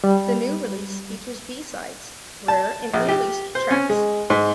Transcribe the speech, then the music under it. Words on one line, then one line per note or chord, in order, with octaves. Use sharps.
The new release features B-sides, rare and unreleased tracks.
G3
A5
A#1
G4
C5
C#4
G#3
G#2